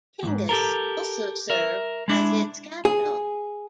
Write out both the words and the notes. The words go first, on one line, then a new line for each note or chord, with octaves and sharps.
Tingis also served as its capital.
D#2 G#2
G4 A4 A#4
A#4 E5
G#3 D4 E4
G#4